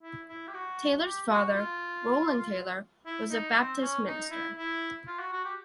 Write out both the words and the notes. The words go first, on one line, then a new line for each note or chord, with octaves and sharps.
Taylor's father, Roland Taylor, was a Baptist minister.
E4
E4
G4
F#4
G4
F#4
F4
E4
D#4
C4
C#4
D#4
E4
E4
F4
F#4
F#4
G4